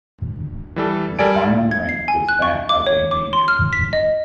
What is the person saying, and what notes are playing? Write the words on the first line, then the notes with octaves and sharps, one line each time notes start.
His final rank was that of a Major.
E3 G3 A4
G3 A4 A#4 D5 G#5 D7
G#6
C7
G#5
F#6
C#6
D6
C#5
D6
C6
F6
B6
D#5